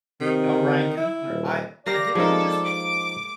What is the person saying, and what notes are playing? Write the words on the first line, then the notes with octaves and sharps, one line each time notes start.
Oh, Ryan Coogler. I uh, didn't he just
C3 D#3
E4
D#1
A#3 G4 D5 F5 A#6
F3 G#3 D#4 A4 A#4
D6